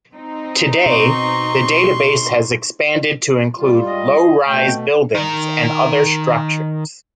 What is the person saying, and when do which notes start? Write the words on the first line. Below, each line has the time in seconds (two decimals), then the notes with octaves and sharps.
Today, the database has expanded to include low-rise buildings and other structures.
0.13 C4 D#4
0.86 B2 C6 C#6
3.56 G3 F4
3.87 D#5
4.47 B2 A3 G5
5.15 D#3 A#4